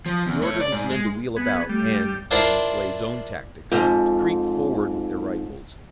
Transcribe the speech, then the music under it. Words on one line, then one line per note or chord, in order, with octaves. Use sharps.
He ordered his men to wheel about, and, using Slade's own tactics, to creep forward with their rifles.
F3
E2
A3 C#5
D5
G#2
G#3
B3 G#4
G3 A3
D4 E4 F4 A#4 C5
F2 G#2